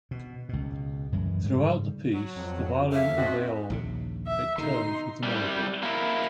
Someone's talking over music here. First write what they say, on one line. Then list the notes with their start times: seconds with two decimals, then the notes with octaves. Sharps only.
Throughout the piece, the violin and viol take turns with the melody.
0.11 B2
0.49 C#2 B2
1.12 F#2 E3 G#3
1.44 G#2 C#3 G3
2.13 F#3
2.36 F2
2.92 A3 G4 E5 F5
3.17 F3 C4 D#4 F#4
3.70 A#1 D#2 C#3
4.27 E5
4.58 B2 D3 D#4 C6
5.23 C2 G3
5.83 A#3 E4